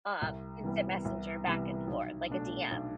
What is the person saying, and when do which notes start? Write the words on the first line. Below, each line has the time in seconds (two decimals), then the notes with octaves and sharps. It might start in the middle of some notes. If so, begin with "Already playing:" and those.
uh, instant messenger back and forth like a DM.
0.22 C2
0.63 C3 E3 G3 B3
1.05 C2
1.46 C3 E3 G3 B3
1.87 B1
2.30 B2 A3 D4
2.71 B1